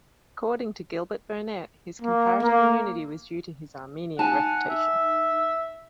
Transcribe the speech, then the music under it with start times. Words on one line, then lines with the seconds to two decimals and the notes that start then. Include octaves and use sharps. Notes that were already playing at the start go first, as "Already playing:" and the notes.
According to Gilbert Burnet, his comparative immunity was due to his Arminian reputation.
2.02 A#3
2.42 A#3
4.19 D#4 F#5 G#5 A5
4.70 E5